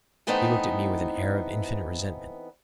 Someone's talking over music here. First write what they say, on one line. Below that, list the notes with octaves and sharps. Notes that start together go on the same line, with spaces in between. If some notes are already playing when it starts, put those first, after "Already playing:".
He looked at me with an air of infinite resentment.
E3 A3 B3 C4 D#4